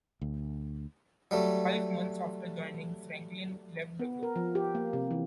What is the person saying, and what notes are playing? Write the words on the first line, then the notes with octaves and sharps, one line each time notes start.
Five months after joining, Franklin left the group.
D2
F#3 G3 A3
B3
A#4
F3
G4
A#3
C3
E3